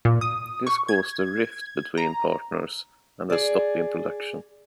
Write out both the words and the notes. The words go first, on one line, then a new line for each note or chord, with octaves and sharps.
This caused a rift between partners and a stop in production.
A#2
D#6
C#6
G#6
A#5
G#4 D5